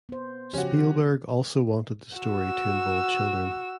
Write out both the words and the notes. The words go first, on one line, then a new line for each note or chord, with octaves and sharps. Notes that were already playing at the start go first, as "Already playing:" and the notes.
Spielberg also wanted the story to involve children.
B3 C5
C#3 F3 C#4 F#4 G4
F#4 E6